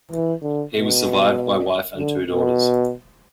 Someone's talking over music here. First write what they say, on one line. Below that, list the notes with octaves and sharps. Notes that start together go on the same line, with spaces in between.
He was survived by wife and two daughters.
E3
D3
B2
D3
B2